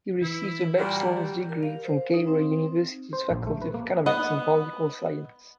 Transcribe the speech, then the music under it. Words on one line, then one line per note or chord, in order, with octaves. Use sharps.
He received a bachelor's degree from Cairo University's Faculty of Economics and Political Science.
E3 E4
A#2 G3 F#4 A#4
G4
A#4
F5
C5
D#4
C4
C5
A#1
A3
B4
A#3
B3 D#5 F#5